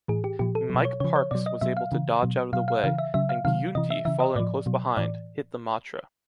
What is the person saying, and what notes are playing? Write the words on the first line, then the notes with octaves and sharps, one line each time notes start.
Mike Parkes was able to dodge out of the way, and Giunti, following close behind, hit the Matra.
A2 E3 G#4
G4
A#2 F3 G4
A4
B2 F#3
C#5
C#3 F3 C#5
C#5
B2 F#3 D5
D#5
B2 F#3 E5
F5
C#3 E3
B2 F#3
B2 F#3 F5
F5
C#3 E3 F5
E5
C#3 F#3 E5
F5
C3 D#3 F#3 F5
C3 E3 D#5
E5
C#3 E3 E5
D#5
A2 F3 D5
B2 F#3
A2 E3 D5